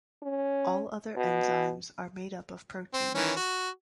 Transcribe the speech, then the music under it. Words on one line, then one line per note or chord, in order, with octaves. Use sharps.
All other enzymes are made up of proteins.
C#4
B2
C4
D#3 E3 C#4
F#4